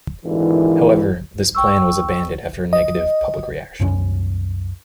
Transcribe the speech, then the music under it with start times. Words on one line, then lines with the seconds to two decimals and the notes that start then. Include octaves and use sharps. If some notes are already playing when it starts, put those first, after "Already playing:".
However, this plan was abandoned after a negative public reaction.
0.25 G#1 D#2 A#2 D3 E3
1.55 G5 C#6 E6
2.73 D#5
3.80 C2 F#2 F3 C#4